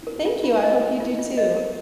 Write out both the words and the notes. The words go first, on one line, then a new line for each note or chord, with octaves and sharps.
Thank you, I hope you do too.
A#4
F4
F4
D#5
A#4
F4
F4
D#5
A#4